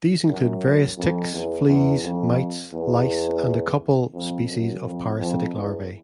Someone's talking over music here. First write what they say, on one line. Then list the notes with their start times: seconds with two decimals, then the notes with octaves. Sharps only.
These include various ticks, fleas, mites, lice, and a couple species of parasitic larvae.
0.28 F#2
0.98 F2
1.33 E2
1.68 E2
2.03 F2
2.73 E2
4.14 F2
4.49 F#2
4.84 F2
5.19 F2
5.54 E2